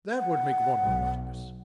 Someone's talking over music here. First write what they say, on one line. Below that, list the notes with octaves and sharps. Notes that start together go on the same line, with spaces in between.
That would make one monotonous.
F#5
B1